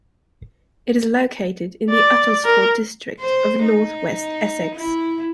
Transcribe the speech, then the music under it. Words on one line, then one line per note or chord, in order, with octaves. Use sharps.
It is located in the Uttlesford district of North West Essex.
D5
A#4
C5
D#4
E4